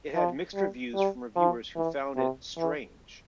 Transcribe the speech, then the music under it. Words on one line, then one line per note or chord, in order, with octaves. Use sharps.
It had mixed reviews from reviewers who found it strange.
F3
G3
G3
F3
E3
C3
E3